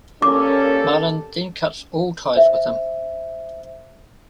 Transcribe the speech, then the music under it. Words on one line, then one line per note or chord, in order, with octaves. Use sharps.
Marlon then cuts all ties with him.
A#2 A#3 C#4 G4 A4 D6
C5 E5